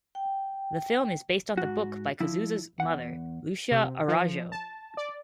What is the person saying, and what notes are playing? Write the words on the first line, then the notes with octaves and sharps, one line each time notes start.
The film is based on the book by Cazuza's mother, Lucia Araujo.
G5
G#2 F#4
F3 E4
E2 F#5
C3
F3
A5
D5